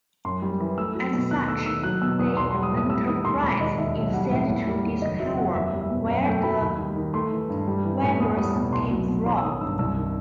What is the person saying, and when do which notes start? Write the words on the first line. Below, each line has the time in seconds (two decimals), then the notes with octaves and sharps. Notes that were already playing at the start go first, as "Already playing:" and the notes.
As such, the "Enterprise" is sent to discover where the virus came from.
0.25 F#2 C6
0.42 G3
0.60 E3
0.78 A3 E6
0.95 F#3
1.13 B2
1.31 D#2 F#6
1.48 A3 E6
1.66 D#3 E6
1.83 F#3 F#6
2.02 B2 E6
2.19 E2 D#6
2.37 B1 C6
2.51 C6
2.54 G3
2.63 D#6
2.72 A2
2.77 D#6
2.90 G3 E6
3.07 D#3 D#6
3.25 D#2 C6
3.43 E1 B5
3.61 D#3 D#5
3.78 D#2 E5
3.96 B1 E5
4.14 G3 F#5
4.31 A2 E5
4.49 E2
4.67 G3
4.84 D#3
5.02 F#1 D#5
5.20 F#3 E5
5.37 F#2 F#5
5.55 E2 E5
5.73 G3
5.81 E5
5.91 B2
6.08 F#2 E5
6.25 A3 G5
6.43 F#3 B5
6.61 D#2
6.79 G3
6.96 D#3
7.14 A3 C6
7.32 E3
7.49 G2
7.67 G3
7.84 E3
8.03 A2
8.20 E2 D#6
8.37 G3 D#6
8.56 B2
8.73 C2 C6
8.91 F#3
9.08 B2
9.26 A1 C6
9.37 E6
9.43 D#3 D#6
9.61 G2 E6
9.79 C2 E6
9.97 D#3